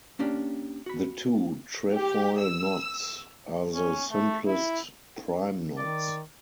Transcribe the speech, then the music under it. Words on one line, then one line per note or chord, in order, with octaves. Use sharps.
The two trefoil knots are the simplest prime knots.
A#3 C#4 D4 G4
F#4 B5
G4
E6
C#4
A3
E4
D#3 D5